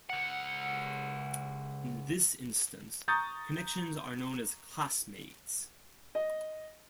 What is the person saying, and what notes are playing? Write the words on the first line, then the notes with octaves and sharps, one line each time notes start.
In this instance, connections are known as "classmates".
C#2 F#5
A#5 C#6 D#6 G6 A6
D#5